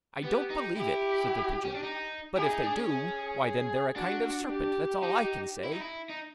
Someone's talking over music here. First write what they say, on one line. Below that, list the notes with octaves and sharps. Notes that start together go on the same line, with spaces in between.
'I don't believe it,' said the Pigeon; 'but if they do, why then they're a kind of serpent, that's all I can say.'
B3 G4
D#4
E4 G4
C#4
D4
D#4
E4 G#4
D#4
D4
C#4
G#4
G#4
D4 F#4
G4
D#4
E4
D#4
E4
D#4